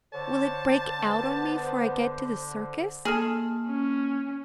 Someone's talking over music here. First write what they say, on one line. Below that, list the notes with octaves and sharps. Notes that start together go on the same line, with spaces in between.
"Will it break out on me 'fore I get to the circus?"
D3 C5 C#5 A5
B3
A#3 G#4 A4 F6
C#4